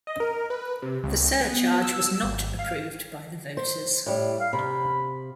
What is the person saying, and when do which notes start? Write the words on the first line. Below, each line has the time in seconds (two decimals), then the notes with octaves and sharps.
The surcharge was not approved by the voters.
0.07 D#5
0.20 A#4
0.50 B4
0.82 C3
1.04 C#2
1.41 B3
1.82 E6
2.23 G#1
2.59 F5
3.57 C5
4.06 A2 G3
4.40 F5
4.53 C3 B5